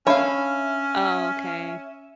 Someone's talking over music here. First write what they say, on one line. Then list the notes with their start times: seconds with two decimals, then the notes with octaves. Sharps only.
Oh, okay.
0.07 C#4 D4 C#5 E5 F5 A5 B5